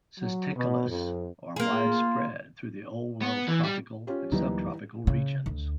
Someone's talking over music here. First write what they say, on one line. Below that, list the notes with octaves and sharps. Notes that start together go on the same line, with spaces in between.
Cisticolas are widespread through the Old World's tropical and sub-tropical regions.
F#3
B2
F2
A#3 F4 G#4
B3
E3
G3
C#4 F4 G4
D2 E3 F#3 G3 A#3 D#4
C#3
D2